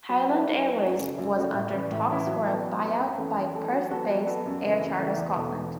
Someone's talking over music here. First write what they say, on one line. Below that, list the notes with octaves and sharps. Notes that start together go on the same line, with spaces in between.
Highland Airways was under talks for a buyout by Perth-based, Air Charter Scotland.
F#3
C#4 E4 B4
F#3
C#4 E4 B4
F#2
C#3 F#3 A3 F#4
F#2
C#3 F#3 A3 F#4
A2
E3 C#4 E4
A2
E3 C#4 E4
F#3
B3 A4
F#3
B3 A4
F#2
E3 A3 C#4 A4
F#2
E3 A3 C#4 A4
F#3
B3 F#4 A4
F#3
B3 F#4 A4
F#2
C#3 E3 A3
F#2
C#3 E3 A3
E2
B2 A3
E2